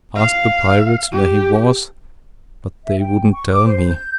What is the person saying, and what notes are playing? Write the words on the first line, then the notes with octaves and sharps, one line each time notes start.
I asked the pirates where he was; but they wouldn't tell me.
F5
G4
E5
G5
C#6
D6
C5
G6